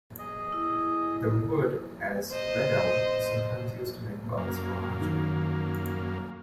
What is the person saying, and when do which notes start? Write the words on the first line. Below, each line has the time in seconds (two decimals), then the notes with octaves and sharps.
The wood, as 'red elm', is sometimes used to make bows for archery.
0.19 G#4 D#5
0.52 E4
2.31 C5 D#5
4.38 F#2 A#3
5.01 D#3